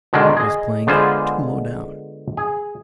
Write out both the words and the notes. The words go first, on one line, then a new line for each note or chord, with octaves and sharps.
It was playing it too low down.
B2 D3 D#3 G#3 D4
G#4 D#5
D3 G#3 B3 F4 G#4 C5
G#4